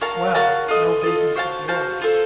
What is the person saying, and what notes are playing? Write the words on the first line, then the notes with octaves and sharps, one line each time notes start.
Well, it's no business of yours.
F#4 A#4 F5 A5
F#4 A#4 F5 A5
F4 A4 D#5
F4 A4 D#5
F#4 C5 F5 A5
F#4 C5 F5 A5
F4 A4 C5